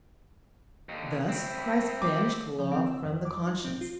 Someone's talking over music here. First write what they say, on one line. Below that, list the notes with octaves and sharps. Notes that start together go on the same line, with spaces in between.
Thus Christ banished the Law from the conscience.
D#2 D3
C4 E4
D6
F3
C4
E6
F2
D6
D#4
C4
F4